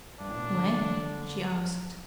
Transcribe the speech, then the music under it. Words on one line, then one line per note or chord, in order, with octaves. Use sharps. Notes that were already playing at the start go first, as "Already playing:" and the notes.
"When?" she asked.
G2 D4
A2
B2
A#2
D3
D3